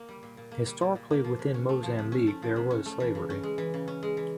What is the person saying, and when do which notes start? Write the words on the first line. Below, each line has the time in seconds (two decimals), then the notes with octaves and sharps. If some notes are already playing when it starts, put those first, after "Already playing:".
Historically within Mozambique there was slavery.
Already playing: A#3
0.09 G3
0.23 A#2
0.37 A#2
0.52 A#3
0.67 G3
0.81 A#2
0.95 A#2
1.10 A#3
1.24 F3
1.39 C3
1.54 C#4
1.69 A3
1.83 F3
1.99 C3
2.12 C#4
2.27 A3
2.42 F3
2.56 C3
2.71 C#4
2.86 A3
3.00 E3
3.15 C#3
3.30 C#4
3.43 G#3
3.58 E3
3.74 C#3
3.88 C#4
4.03 G#3
4.17 E3